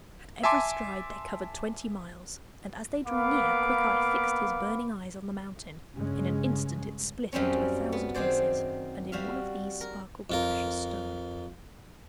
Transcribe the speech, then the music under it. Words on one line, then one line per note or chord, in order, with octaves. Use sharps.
At every stride they covered twenty miles, and as they drew near Quickeye fixed his burning eyes on the mountain; in an instant it split into a thousand pieces, and in one of these sparkled the precious stone.
E5 G#5 A5 C6 D6
A#3 B3 F5 B5 D6
G2 C#3 G#3 C#4
F#2 G3 C4 C#4
B3
D#3 C4 G#4 C5 D5
G3 F#4 E5 F5
A#4
F2 F4 A#4